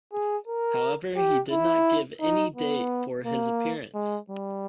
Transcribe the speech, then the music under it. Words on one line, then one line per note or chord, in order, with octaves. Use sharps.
However, he did not give any date for his appearance.
G#4
A#4
G4
E4
D#4
B3
A#3
G#3
G3